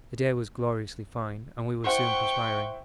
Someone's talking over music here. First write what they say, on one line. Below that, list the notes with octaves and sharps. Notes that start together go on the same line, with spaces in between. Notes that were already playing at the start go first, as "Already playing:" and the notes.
The day was gloriously fine and we were soon perspiring.
E4 C5 F#5 G5 C#6